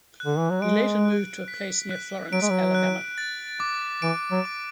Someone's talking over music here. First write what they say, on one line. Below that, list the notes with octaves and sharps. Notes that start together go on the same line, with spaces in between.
He later moved to a place near Florence, Alabama.
F#6
D3
E3
F#3
G#3 D7
F#6
B6
F#6
F#3 D7
G#3
F#3
F#6
A6
D6
E3 D7
F#3
D6